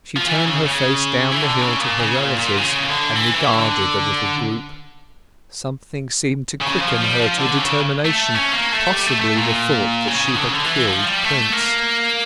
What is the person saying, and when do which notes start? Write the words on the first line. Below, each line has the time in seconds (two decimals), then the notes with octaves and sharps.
She turned her face down the hill to her relatives, and regarded the little group. Something seemed to quicken her to a determination; possibly the thought that she had killed Prince.
0.17 F3
0.27 E3
0.46 C#3
0.66 C#3
1.31 E3
1.42 D3
1.61 C#3
1.81 A#2
2.00 C#3
2.20 A#2
2.38 A#2
2.57 C#3
2.83 E3
2.86 D3
3.16 E3
3.34 E3
3.54 D3
6.62 C#3
6.81 F3
7.01 G3
7.19 F3
7.38 D3
7.58 C#3
8.06 A3
8.35 C#4
8.53 A#3
8.73 A3
8.93 G3
9.07 A3
9.21 A3
9.35 A#2
10.08 C#3
10.36 D3
10.44 C#3
10.52 D3
10.65 E3
10.85 F3
11.03 G3
11.24 A3
11.52 A#3